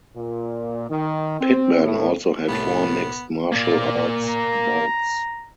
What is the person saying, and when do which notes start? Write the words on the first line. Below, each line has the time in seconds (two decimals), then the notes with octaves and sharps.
Pittman also had four mixed martial arts bouts.
0.16 A#2
0.90 D#3
1.41 C4
1.83 A2
2.49 C2 A2 B3 A5
3.52 A#3 D5
4.28 A#5